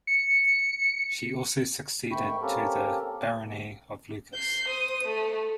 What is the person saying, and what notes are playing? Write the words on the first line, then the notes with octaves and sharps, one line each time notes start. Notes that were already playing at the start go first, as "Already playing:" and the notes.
She also succeeded to the Barony of Lucas.
C#7
G#2 D#3 A3 G5 B5 C#6
A#3 C4 C#4 G4 A4 A#4
G6 C7
C5 D#6
A3